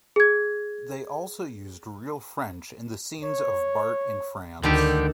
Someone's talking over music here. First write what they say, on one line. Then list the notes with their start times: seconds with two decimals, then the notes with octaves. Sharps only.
They also used real French in the scenes of Bart in France.
0.16 G#4 G#6
3.24 C#5
4.63 D2 D3 D#3 G3 D4 G4 A4